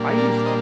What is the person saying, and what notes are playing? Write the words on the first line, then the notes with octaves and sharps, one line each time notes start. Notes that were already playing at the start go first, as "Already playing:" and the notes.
I used to
Already playing: A#2 G3 A#3 D4
A#4 D5
C5 D#5